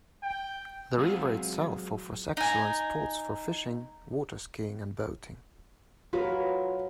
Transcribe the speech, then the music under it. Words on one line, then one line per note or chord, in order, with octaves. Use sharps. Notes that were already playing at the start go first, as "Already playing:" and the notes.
The river itself offers excellent spots for fishing, waterskiing and boating.
G5
F#3 G#3 C4 F4 G#4
D#4 G#5
F#3 F4 A#4 B4